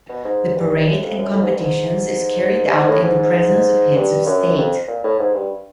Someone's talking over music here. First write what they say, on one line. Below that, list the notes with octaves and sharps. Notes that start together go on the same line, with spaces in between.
The parade and competitions is carried out in the presence of heads of state.
B2
G#2
G2
F#2
F2
F#2
A2
G#2
G2
G#2
G2
G#2
A2
G#2
G#2
G2
F#2
F2
A#2
A2
G#2
G2